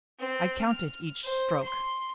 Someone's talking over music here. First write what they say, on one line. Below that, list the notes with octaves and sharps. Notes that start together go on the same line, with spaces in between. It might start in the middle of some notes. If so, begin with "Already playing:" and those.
I counted each stroke.
C4
F6
C5
C6